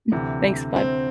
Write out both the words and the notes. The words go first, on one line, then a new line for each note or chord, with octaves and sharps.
Mm, thanks, bud.
D2 C3 E3
C4